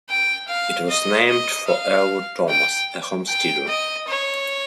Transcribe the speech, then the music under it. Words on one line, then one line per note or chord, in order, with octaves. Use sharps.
It was named for Elwood Thomas, a homesteader.
G5
F5
D#5
D#5
F5
G5
G5
D#5
C#5